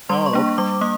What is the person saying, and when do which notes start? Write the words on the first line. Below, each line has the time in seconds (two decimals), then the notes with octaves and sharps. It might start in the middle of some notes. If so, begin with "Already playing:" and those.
Oh, okay.
0.09 G3 C6
0.26 C#6
0.33 A#3 D4
0.58 G3 D6
0.81 A#3 D#6